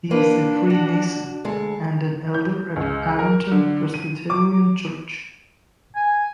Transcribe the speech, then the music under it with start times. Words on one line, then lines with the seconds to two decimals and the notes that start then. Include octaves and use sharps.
He is a freemason, and an elder at Avonton Presbyterian Church.
0.11 A#3 D4 B4
0.70 F#4
1.45 D2 G#3 A4
2.34 G6
2.76 C#2
3.19 A#4
3.52 D3
3.94 D#7
4.30 D6
5.96 G#5